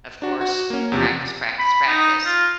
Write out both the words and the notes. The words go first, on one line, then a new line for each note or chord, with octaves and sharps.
of course, practice, practice, practice.
D4 F#4
F#4
A#3 C#4
E2 C3 F3
B5
D#4
F4